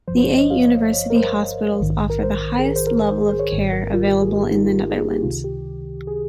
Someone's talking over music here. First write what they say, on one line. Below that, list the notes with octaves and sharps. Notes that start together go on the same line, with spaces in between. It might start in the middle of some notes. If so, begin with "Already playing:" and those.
The eight university hospitals offer the highest level of care available in the Netherlands.
G1 G2 F3 C5
C5
C#5
D#5
F5
D#5
C#5
A#4
C5
A#1 G#2 D#3
A#4
C5
G#4
A#4
C5
A#4
C5
G#4
C5
C#5
G#1 G#2 D#3 C#5
A#4
F4
G4
G#4
G4
D#4
F4
G4
G#4
G#4
G4
C#2 C3 D#3 F4
G4
G#4